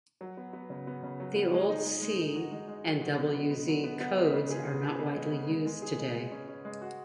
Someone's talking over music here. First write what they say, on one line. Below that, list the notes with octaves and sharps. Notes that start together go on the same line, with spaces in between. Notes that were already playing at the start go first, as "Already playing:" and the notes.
The old C and W Z Codes are not widely used today.
F#3
B3
B3
C#3
B3
C#3
F#3
B3
G#3
D#4
G#3
G#3
G#3
F#4
G#3
G#3
F#3
F#4
B3
B3
B3
F#3
B3
B3
G#3
C#3
G#4
G#4
G#4
B3
G#3
B3
G#3
G#3
G#4
G#3
G#3
C#4
C#4
G#3
F#4